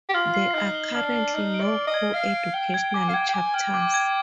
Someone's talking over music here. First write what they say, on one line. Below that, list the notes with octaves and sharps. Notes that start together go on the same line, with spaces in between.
There are currently no co-educational chapters.
G4
F4 F6
C7
D#4 F6
G7
D4 F6
C7
D#4 F6
D7
D5
G7
D#5
G#6
F5 F6
D7
G5 G7
G#6
G#5 D6
F5
G5 G#6
G5
G#5 D6
G5 F6
D6
G#6